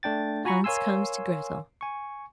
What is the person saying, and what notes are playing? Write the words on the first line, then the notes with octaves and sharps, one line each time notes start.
Hans comes to Grettel.
A3 D4 G5 A6
F4 F#4 G#5 A#5 B5 C#6
A#4 C#5 F5 G#5 C6 E6
G#5 C#6